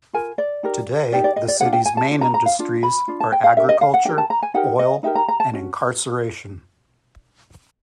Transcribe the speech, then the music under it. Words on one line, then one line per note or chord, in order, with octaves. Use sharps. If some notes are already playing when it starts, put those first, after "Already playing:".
Today, the city's main industries are agriculture, oil and incarceration.
F4 A#4 G#5
D5
D#4 G4 A#4
D#4 G4 A#4 D5
D5
D#5
D5
D4 F4 G#4 B4 F#5
G5
G#5
A5
D4 F4
A#5
A#5
F5
D4 F4
B5
D4 F4
A5
G5
F5
D4 G4 A#4 E5
D#5
F5
F#5
D4 G4 A#4 G5
A5
A#5
G#5
D#4 G4 A#4 F#5
D#5
D#4 G4 A#4 E5
A#5
A#5
A5
C#4 F#4